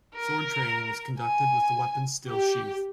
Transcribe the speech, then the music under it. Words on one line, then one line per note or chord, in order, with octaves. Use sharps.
Sword training is conducted with the weapon still sheathed.
A#4
G#5
G4